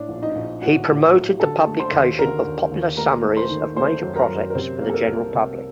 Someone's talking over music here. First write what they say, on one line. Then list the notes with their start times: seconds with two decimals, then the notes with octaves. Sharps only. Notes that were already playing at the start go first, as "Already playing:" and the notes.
He promoted the publication of popular summaries of major projects for the general public.
Already playing: A2 D4
0.09 A#1
0.22 D#4 D#5
0.36 A#1
0.61 A2 F#4 F#5
0.88 A2
1.14 F#3
1.40 D3 A4 A5
1.66 A3
1.79 C5 C6
1.92 D#2
2.19 D3 A#4 A#5
2.46 D#2
2.71 D#2
2.97 A3 A#4 A#5
3.24 A3
3.37 C5 C6
3.49 D#3
3.76 A3 C5 C6
4.03 F#2
4.16 A#4 A#5
4.29 F#2
4.50 A#4
4.55 C3 C4 C5
4.81 A#3
4.90 A4
4.94 A#4
5.08 C2
5.34 C3